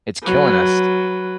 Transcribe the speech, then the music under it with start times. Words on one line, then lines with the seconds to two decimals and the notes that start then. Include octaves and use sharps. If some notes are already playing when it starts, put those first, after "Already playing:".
It's killing us.
0.24 F#3 B4